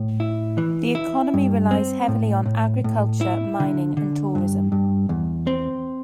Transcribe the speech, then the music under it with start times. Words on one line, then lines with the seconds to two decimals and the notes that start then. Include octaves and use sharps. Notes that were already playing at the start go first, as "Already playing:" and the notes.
The economy relies heavily on agriculture, mining and tourism.
Already playing: A2
0.20 E4
0.58 E3
0.95 E4
1.34 G2
1.71 C4
2.08 A2
2.46 A2
2.84 A2
3.21 E4
3.60 D3
3.97 D3
4.35 G2
4.72 G2
5.09 E2
5.47 C4